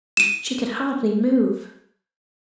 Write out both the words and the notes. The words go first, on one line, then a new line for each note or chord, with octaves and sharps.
She could hardly move.
D#7 E7